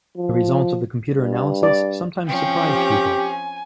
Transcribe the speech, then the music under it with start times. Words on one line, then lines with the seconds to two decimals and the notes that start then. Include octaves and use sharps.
The results of the computer analysis sometimes surprised people.
0.17 F3
1.14 G2
1.63 D5
2.26 F3 C4 C#4 G5
2.66 G4
3.20 G#5